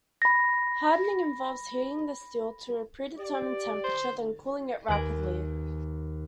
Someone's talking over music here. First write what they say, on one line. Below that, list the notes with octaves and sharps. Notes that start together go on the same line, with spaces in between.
Hardening involves heating the steel to a predetermined temperature, then cooling it rapidly.
B5 A#6
G4 D5
C5
D#2 B4 G#5 F#6 A#6 D7